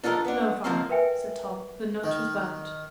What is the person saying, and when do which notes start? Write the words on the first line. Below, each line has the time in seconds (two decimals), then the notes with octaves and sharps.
"No, father," said Tom; "the note was burnt."
0.04 D4 F4 A4 A#4 D#5
0.25 B3 D4
0.64 C#2 F3 A#3 C4 F5
0.89 A#4 B4 E5 G5 G#5
2.04 D#3